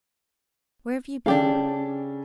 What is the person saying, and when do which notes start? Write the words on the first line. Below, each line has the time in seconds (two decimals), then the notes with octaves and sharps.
Where have you been?'
1.26 C#3 C#4 D4 G4 A4 F5